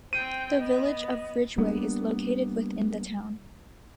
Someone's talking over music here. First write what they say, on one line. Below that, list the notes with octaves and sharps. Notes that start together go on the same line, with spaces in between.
The Village of Ridgeway is located within the town.
C4 C5 G5 D#7
B3 D#5
G3 A#3 B3 D4